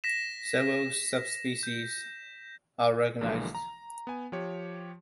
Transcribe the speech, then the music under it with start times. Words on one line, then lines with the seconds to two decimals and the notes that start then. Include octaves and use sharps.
Several subspecies are recognized.
0.04 A#6 B6 E7
1.63 G6
3.21 B1 D3 E3 F3 G#3 A#3
3.55 A#5
4.07 B3 G#5
4.32 F3 G4 C#5